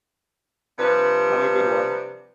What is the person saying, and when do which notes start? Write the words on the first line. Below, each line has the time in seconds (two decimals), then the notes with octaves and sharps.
Have a good one.
0.79 C3 F3 G3 D4 B4